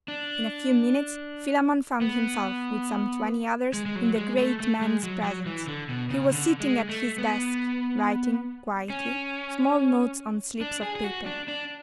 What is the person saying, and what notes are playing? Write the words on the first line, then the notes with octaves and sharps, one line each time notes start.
In a few minutes Philammon found himself, with some twenty others, in the great man's presence: he was sitting at his desk, writing, quietly, small notes on slips of paper.
D4
B3
G#3
G#3
F#3
G#3
A3
A3
G#3
F#3
F#3
E3
D3
B2
C#3
D3
G#3
A3
B3
C#4
D4
G#4
G#4
F#4
D4
D4